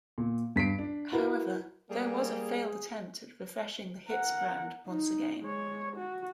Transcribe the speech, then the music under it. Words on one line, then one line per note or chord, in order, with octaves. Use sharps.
However, there was a failed attempt at refreshing the "Hits" brand once again.
A#2
G2 B6 C7 D7
D4
E4 F#4 A#4 B4
G3 A#3 G#4
A#4 F#5
D#4
G#3 C#5
F#4